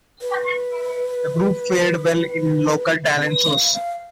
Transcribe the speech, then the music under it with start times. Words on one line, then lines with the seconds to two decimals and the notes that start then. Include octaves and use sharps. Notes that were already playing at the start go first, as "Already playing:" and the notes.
The group fared well in local talent shows.
0.22 B4
3.22 B4
3.47 F5
3.73 F5